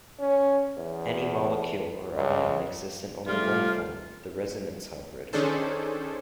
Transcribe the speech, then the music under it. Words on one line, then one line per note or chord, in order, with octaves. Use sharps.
Any molecule or ion exists in only one form - the resonance hybrid.
C#4
E2
C#2
C3 F3 G3 A3 F4 F6
D#3 C#4 D4 G#4 A4 C5